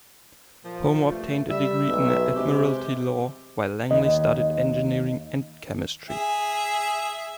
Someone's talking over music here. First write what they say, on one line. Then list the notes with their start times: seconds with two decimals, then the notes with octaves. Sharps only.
Homer obtained a degree in admiralty law, while Langley studied engineering and chemistry.
0.64 A#2 F3
1.08 G2 A3
1.49 G3 E5
1.88 B1
2.35 C3 G#3 G4
3.91 D#2 D#5
6.10 G#4 E5